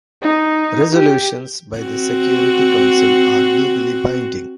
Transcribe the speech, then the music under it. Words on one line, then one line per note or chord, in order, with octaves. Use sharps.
Resolutions by the Security Council are legally binding.
D#4
G4
C4 F#4